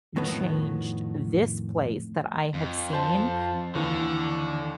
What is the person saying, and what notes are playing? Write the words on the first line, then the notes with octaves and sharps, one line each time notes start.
changed this place that I have seen.
F2 A2 D#3 B3
F2
C5 A5
D#2 D3 E3